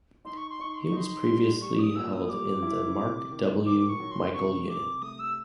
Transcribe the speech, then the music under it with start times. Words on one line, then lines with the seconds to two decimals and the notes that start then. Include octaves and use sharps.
He was previously held in the Mark W. Michael Unit.
0.24 D#4 C6
0.36 C#6
0.49 C6
0.59 D#4 C#6
0.73 C6
0.84 C#6
0.92 D#4 C6
1.26 G3
1.61 G3 C#6
1.78 D#6
1.95 A#2 E6
2.12 D#6
2.29 G3 D6
2.63 E4
2.98 C3
3.31 D#3
3.65 D#3 D6
3.88 C#6
4.00 F#3
4.11 C6
4.33 C3 C#6
4.67 C3 D6
5.01 A3 D#6
5.19 E6